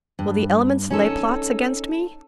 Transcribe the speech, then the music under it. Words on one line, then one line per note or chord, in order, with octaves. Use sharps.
Will the elements lay plots against me?
G2
C#4 D#4 A4